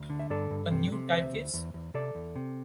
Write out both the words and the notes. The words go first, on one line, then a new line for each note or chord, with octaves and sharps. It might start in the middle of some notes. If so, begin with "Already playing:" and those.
A New Typeface?
Already playing: D2
D3
E5
G2 A4 D5
G2
C3
C3
D2 C5 E5
D2
E2
E2
C3 A4 D5
E2
C3